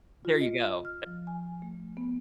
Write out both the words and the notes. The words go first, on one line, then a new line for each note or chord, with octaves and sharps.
There you go.
F4
D#5
F6
F3
G#5
A3
B3